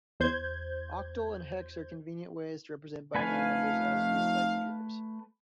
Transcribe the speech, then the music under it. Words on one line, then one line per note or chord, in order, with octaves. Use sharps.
Octal and hex are convenient ways to represent binary numbers, as used by computers.
E2 C5 G6 G#6
F2 A3 D#4 B4 F5 G#5